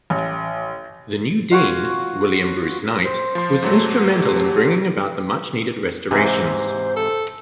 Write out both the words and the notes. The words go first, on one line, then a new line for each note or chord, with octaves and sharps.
The new Dean, William Bruce Knight, was instrumental in bringing about the much-needed restorations.
A1
F4 F#4 C#5
C5
F3 C6
G#2 F#3 A3
G4
G#2 C3 E3 C5
A4